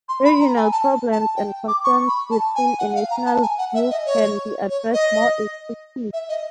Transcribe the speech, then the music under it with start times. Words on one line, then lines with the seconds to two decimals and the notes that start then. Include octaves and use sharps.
Regional problems and concerns within a national view can be addressed more effectively.
0.09 C6
0.25 B5
0.40 A#5
0.56 G#5
0.72 A5
1.12 A5
1.36 G5
1.68 D6
1.84 C#6
2.07 B5
2.31 A5
2.55 G#5
2.79 F#5
2.95 F5
3.11 A#5
3.26 A5
3.42 G#5
3.58 F#5
3.75 E5
3.91 D#5
4.06 C#5
4.70 C#5
4.94 D#5
6.13 E5
6.29 D#5